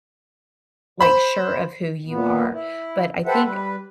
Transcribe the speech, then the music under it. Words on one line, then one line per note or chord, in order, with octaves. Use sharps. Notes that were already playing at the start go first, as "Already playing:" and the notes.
like, sure of who you are. But I think
C5 B5
A#2 B3
E4
G4 A4 B4 C5 E5 F#5
G3 B4